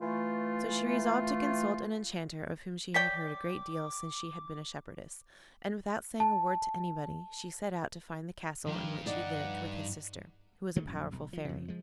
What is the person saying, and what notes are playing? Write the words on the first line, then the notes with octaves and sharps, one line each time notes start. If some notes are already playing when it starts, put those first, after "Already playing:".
So she resolved to consult an Enchanter of whom she had heard a great deal since she had been a shepherdess, and without saying a word to anybody she set out to find the castle in which he lived with his sister, who was a powerful Fairy.
E3 A3 F4
C#5 D5 G5 D6 B6
A5
G2 D#3 F3 G4 A#4
D#4 D5 F#5
D#3 E3 G#3 A3
A#1 F#2
B1
F3
F2 C#3
F3 G#3